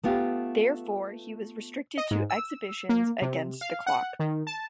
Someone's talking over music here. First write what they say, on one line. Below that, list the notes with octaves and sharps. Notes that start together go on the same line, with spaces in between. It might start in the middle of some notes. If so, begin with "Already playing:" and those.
Therefore he was restricted to exhibitions against the clock.
A3 B3 F4 G4
D#5
G#2
E6
A#3
C3
F5
F#5
D#3
A5